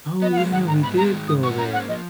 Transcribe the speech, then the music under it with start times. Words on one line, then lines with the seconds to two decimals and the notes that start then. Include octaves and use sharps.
"Oh yeah, we did go there."
0.22 B3 D#5
0.32 F#5
0.37 G#3 F5
0.52 D#3 F#5
0.67 G#2 A#5
0.83 B3 B5
0.98 G#3 A#5
1.13 D#3
1.28 G#2 D#6
1.43 F#4 C#6
1.58 C#4 A#5
1.73 A#3 F#5
1.89 F3 D#5